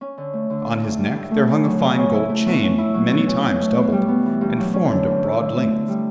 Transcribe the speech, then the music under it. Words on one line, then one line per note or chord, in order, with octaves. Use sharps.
On his neck there hung a fine gold chain many times doubled, and formed of broad links.
C#4
D3
A3
D3
D4
A2
G3
A2
A3
C#3
F#3
C#3
C#4
E4
A3
B2
C#4
E4
F#3
B2
C#4
B2
A3
B2
G3
B3
E3
G2
F#3
C#4
D3
E2
E4
D3
A3
D3
G3